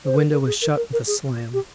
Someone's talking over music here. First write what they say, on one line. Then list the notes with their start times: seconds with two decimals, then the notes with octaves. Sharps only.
The window was shut with a slam.
0.05 C5
0.16 A#4
0.31 A#4
0.47 G#4
0.62 A#4
0.77 A#4
0.93 A#4
1.07 G#4
1.54 G4